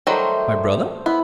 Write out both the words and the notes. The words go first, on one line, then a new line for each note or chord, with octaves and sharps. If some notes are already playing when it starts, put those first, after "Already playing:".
"My brother?"
D#3 F#3 G3 A3 C5
B3 E4